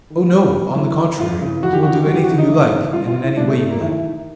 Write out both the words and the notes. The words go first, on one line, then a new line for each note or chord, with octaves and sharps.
"Oh, no! On the contrary, he will do anything you like and in any way you like."
D#3
F#2
D3
F#2 E4
D3
F2 F4
C#3 E3
F2 F#4
G4
C#3 E3 F#4
G4
F#2 F#4
G4
F#4
C#3 E3
D#4
F#2 E4
C#3 E3
G2 F4
F4
E3
E4
G2 D4
A3
E3 A3
A#3
D#2 E4
D#3